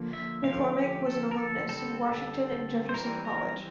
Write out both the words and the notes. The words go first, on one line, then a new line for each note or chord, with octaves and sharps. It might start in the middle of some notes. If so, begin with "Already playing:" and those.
McCormick was an alumnus of Washington and Jefferson College.
Already playing: D3 F3 A#3
E5
D3 F3 A3 C4 F5
G4
A4
A#4
A4
D3 G3 C4 A4
A4
C5
E3 G3 C4 A#4
A#4